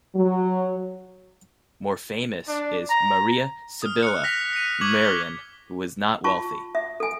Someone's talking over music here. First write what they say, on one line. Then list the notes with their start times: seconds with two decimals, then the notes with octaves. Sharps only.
More famous is Maria Sibylla Merian, who was not wealthy.
0.16 F#3
2.48 D4
2.90 A#5
3.82 D#6 F6
4.03 F#6 C#7
4.23 F#6 A#6 B6 F7
4.53 C#7 D#7
4.81 C#6 D6 G#6 F#7
5.05 G7
6.24 F4 A5 C#6
6.75 E5
7.00 A4 G#5